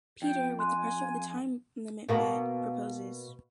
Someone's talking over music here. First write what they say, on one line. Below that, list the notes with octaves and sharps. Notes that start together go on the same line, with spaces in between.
Peter, with the pressure of the time-limit bet, proposes.
F2 G5
G#5 C6 F#6
B2 A#3 F#4